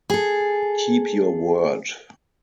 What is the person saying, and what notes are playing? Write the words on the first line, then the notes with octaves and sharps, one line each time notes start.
Keep your word.
G#4 A4